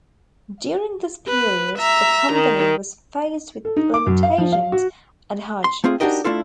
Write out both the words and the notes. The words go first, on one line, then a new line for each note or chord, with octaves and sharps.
During this period the company was faced with limitations and hardships.
B4
E5 A#5
D#3
A4
D#4
D6
F#2
F5
F3
F5
F#4
C6
A3 C4 F4 G#4
D4 D#4 F#4 G4 A#4 D#5
A3 D4 E4 F4 A4